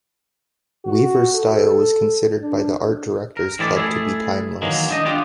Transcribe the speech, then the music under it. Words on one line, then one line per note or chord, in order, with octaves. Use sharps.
Weaver's style was considered by the Art Directors Club to be "timeless".
F#4
A4
D4
A#4
A2 E3 G#3 E4 G4 D5
A3 E4 G#4
D#3 E3 F#3 G#3 A#3
D4 D#4 D#5
B3 D4 F4 G4